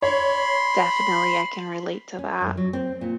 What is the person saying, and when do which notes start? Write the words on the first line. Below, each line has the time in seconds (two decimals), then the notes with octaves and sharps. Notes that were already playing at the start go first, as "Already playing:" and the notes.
Definitely I can relate to that.
0.02 C#5 B5 C6
2.18 C#4
2.40 F#2
2.57 F#3
2.73 C4
3.01 A#2